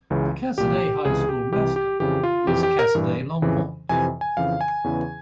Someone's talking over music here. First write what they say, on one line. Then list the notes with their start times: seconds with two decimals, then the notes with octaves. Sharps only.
The Cassoday High School mascot was Cassoday Longhorns.
0.10 C#2 C#3 E3
0.58 C2 A#2 G4
1.05 C#2 C3 E3 G#4
1.29 G4
1.53 C2 C3 E3 G4
1.76 G4
2.00 F2 C#3 E3 G4
2.23 F4
2.47 F2 E3 G4
2.63 G4
2.79 A#4
2.95 G2 E3
3.42 F2 C#3 E3
3.89 F2 C3 E3 G#5
4.21 G#5
4.37 F2 C#3 E3 F5
4.61 G#5
4.84 E2 C#3 E3